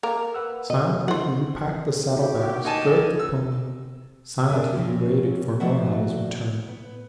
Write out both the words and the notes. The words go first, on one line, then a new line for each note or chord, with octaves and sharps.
Silently we repacked the saddlebags; girthed the pony; silently we waited for Norhala's return.
A#3 A#4
B4 F#5 E6
B2 D#5
D#3 C5 F#5
D#2 F#4 G4
D#4 G#5 A5
E6
D4 A#4 E5 G#5
C#3 F3 C4 C#4
A#2 D#3 F3 A3 F#4 E5
B3